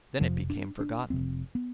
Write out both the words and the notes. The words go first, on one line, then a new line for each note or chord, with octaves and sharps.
Then it became forgotten.
F1 F2 C3 F3
D4
D4
F1 F2 C3 C4
B3